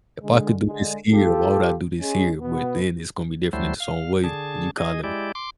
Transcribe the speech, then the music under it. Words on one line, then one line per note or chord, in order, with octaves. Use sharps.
if I could do this here, why would I do this here? But then it's gonna be different in its own way, and you kinda
D3 G#3
D3 G#3
F4 G4 A4
G#3 C#4
B2 B3
D2 F#3 G3 A3 E4 C5
F5
D3 G#4 A5
G#4 D#5
G#3 E4 G4 D5
C6 D6